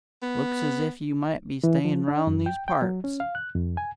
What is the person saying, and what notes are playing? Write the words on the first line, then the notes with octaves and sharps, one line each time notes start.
Looks as if you might be stayin' round these parts!
B3
E3
F3
D4
F#2
G5
G5
F#3
C#4
F5
F#6
F2
G#5